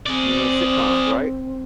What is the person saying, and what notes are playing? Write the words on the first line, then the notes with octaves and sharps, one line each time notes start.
You know, sitcoms, right?
C4 G#4 D5